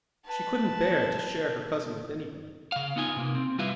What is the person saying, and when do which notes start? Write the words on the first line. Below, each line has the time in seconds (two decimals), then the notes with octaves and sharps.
She couldn't bear to share her cousin with anybody.
0.25 B4 A5
2.72 C#3 F5
2.96 B3 D#4 F4 G#5
3.16 C3 A#3
3.35 C4
3.59 G3 E4 F4 B4 E5 F5